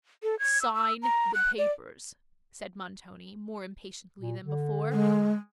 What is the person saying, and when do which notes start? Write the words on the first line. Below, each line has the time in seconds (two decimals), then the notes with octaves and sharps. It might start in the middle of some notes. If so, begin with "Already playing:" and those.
'Sign the papers,' said Montoni, more impatiently than before.
0.23 A4
0.39 G#6
0.61 E6
0.74 E6
1.03 A#5
1.34 F#6
1.58 D5
4.20 A#2
4.43 D3
4.92 G#3